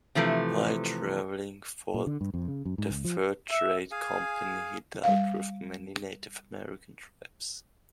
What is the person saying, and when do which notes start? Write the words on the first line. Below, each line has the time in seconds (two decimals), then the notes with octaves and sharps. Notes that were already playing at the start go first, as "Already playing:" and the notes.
While traveling for the fur trade company he dealt with many Native American tribes.
0.15 C3 E3 F3 A3
1.94 A#2
2.07 D3
2.21 G2
2.34 F2
2.48 C#3
2.65 F#2
2.78 G#2
2.90 C#2
3.05 F3
3.51 E5
3.91 G#4 F5 G#5
5.03 G3 F5